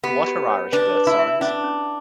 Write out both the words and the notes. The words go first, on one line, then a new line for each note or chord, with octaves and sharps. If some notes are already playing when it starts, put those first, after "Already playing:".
What are Irish Birth Signs?
B3 G4
G4
C#5
D4 B4
B4
E4
E5
C#4 D4
C#4